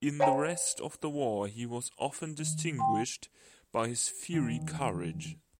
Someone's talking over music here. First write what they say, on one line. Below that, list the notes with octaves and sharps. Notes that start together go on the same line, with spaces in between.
In the rest of the war he was often distinguished by his fiery courage.
C5 C#5 E5 G5 A5 A#5
D#3
G5 C6
E2 D#3